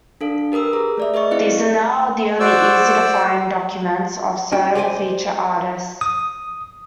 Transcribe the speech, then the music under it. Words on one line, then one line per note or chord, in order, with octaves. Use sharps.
These are now the only easy-to-find documents of certain featured artists.
D4 A4 F5
G4 A#4 B4 D#6 E6
G#4 A#5
A3 D5 E5
G#4 B4 D5 D#5 C#6
C4 E4 D#5 F5 C#7
F#4 C5 D5 E6
C#4 F#4 G5
G4 G#4 C5 D5 D#5 G#5
D#6